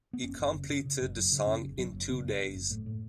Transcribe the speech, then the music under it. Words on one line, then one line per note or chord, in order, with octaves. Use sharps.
He completed the song in two days.
B3
F#1 C#4
F#1
C#3
C#3
C#3
F#1
F#2
C#3
C#3 C#4
F#1
F#1 F#3
F#1
C#3 B3
F#1
F#1
F#1
A2
A2